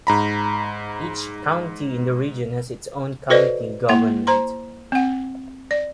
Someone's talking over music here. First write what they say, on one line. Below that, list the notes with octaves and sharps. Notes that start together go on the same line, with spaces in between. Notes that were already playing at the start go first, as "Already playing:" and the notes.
Each county in the region has its own county government.
G#2 A#5 B5
F#4 A4 B4 C5 D5 D#5
A#3 E4 F#5 C6
C5 A#5 C6
C4 F#5
D5